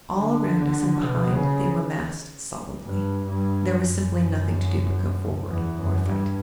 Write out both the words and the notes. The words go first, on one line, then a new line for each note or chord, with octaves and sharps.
All around us and behind they were massed solidly--there was simply nothing to do but go forward--or fight.
D3
B2
C#3
G2
G2
F#2
E2
F#2
G2